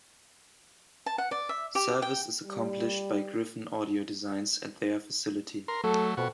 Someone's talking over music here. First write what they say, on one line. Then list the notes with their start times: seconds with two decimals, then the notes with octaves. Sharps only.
Service is accomplished by Gryphon Audio Designs at their facility.
1.06 A5
1.18 F#5
1.31 D5
1.49 E5
1.75 G4
2.02 G5
2.43 G3
5.68 A#4 C6
5.84 F#3 A3 A4
6.17 F2 B2 F#4